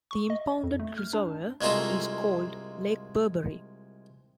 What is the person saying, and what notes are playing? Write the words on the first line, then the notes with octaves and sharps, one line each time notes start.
The impounded reservoir is called Lake Burbury.
C#6
D#5
F2
A3
F6
D4
C2 G#3 A#3 F4 G#4 A4